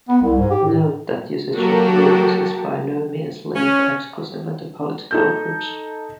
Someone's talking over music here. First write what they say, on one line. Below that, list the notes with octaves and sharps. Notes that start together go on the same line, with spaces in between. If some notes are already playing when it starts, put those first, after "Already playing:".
Note that usage of runes is by no means linked exclusively to political groups.
B3
C2
G#2
G4
A2
F#3 A#3 F#4 G4 A4 A#4
C#4
D#4 A4 G6